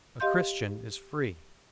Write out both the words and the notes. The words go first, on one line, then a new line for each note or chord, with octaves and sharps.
A Christian is free.
G4 D#5 F5 C6 G6